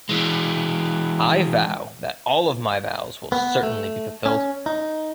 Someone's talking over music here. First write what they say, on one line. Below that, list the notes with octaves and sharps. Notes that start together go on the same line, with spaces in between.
I vow that all of my vows will certainly be fulfilled.
E3 G#3
B3
A3
C#4
D#4